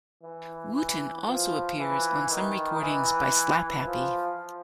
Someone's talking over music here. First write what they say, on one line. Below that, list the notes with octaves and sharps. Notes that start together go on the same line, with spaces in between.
Wootton also appears on some recordings by Slapp Happy.
E3
E3
F3
E3
D#3
E3
F3